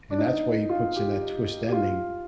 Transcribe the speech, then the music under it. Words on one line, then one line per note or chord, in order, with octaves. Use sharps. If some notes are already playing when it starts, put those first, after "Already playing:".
and that's why he puts in that twist ending
D4
D#4
F4
G4
G4
F4